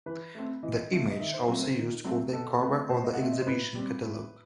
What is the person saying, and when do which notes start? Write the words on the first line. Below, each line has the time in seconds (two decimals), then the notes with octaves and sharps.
The image also used for the cover of the exhibition catalog.
0.06 E3 B4
0.35 A3 C4
0.63 E3 D#5
0.91 A3 C4
1.11 D#5
1.20 D#3 E5
1.34 C5
1.48 F#3 A3 C4
1.63 C5
1.77 D#3
2.04 F#3 A3 C4
2.33 B2 A4
2.61 A3 C4 B4
2.90 B2 C5
3.04 D#5
3.13 F#5
3.18 A3 C4 E5
3.32 D#5
3.41 C5
3.47 A2 B4
3.75 G3 C4
4.03 A2